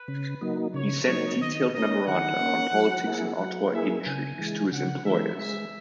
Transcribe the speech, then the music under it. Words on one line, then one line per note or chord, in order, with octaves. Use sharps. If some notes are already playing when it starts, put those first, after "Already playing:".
He sent detailed memoranda on politics and Ottawa intrigues to his employers.
Already playing: B4
C#3
F#3 A#3 D#4
C#3 C#5
F#3 A#3 D#4 C#5
D#3 D#5
A#3 C#4 D#5
D#3 F#5
A#3 C#4
F#3
A#3 E4 G#4
F#3 F#5
A#3 E4 G#4 E5
C#3 G#5
E3 G#3
C#3 F#5
E3 G#3 E5
G#3 E5